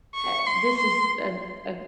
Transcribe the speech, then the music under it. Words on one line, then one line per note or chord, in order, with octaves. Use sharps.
uh, this is a a
C#6
C6
C6